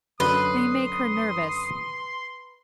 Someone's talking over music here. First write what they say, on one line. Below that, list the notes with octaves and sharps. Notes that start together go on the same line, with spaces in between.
They make her nervous.
F#2 D3 B4 C6 D#6